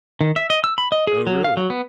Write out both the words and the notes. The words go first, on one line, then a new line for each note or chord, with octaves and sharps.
Oh, really?
D#3
E5
D#5
E6
B5
D#5
G#4
F#3
F5
F#3
B3